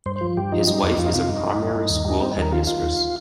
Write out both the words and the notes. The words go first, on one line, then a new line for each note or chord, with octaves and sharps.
His wife is a primary school headmistress.
G2 C5
C5
F3
G2 G4
F3 D#4
G3 D#4
F2 D#4
F2 F4
D#4
C3 F4
G2 D#4
G2
G2
G2
D#2
G3
G3 C4
D#4
D#2 A#4
D#3 F4
D#3 F4
D#2